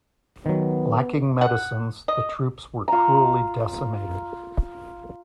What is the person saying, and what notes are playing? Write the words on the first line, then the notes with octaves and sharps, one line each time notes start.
Lacking medicines, the troops were cruelly decimated.
D#3 F#3 B3
F#5
D#5
F4 A#5